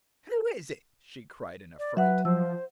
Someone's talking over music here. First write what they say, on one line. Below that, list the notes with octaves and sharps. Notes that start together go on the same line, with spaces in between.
"Who is it?" she cried in affright.
D5
F#3 B4 E5 F#5
F3 C5 E6